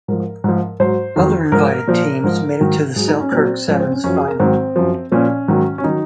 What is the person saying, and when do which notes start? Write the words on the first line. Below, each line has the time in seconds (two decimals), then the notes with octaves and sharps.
Other invited teams made it to the Selkirk Sevens final.
0.08 G#2 F3 A#4
0.44 G#2 F3
0.80 G#2 F#3 C5
1.16 F2 D#3 F#3
1.52 G#2 F3 A#4
1.88 A#2 F3
2.24 G#2 F3
2.60 G#2 D#3 F#3
2.96 G#2 F#3 G#4
3.08 D#4
3.20 C#4
3.32 A#2 F#3 C4
3.68 G#2 F3 C#4
3.80 C4
3.92 C#4
4.04 F#2 F3 C#4
4.16 G#4
4.27 A#4
4.40 G#2 D#3 F#3 C4
4.76 F#2 F3
5.12 A#2 F3 C#4
5.48 G#2 D#3 F#3
5.78 C#4
5.84 D#3 F#3 D#4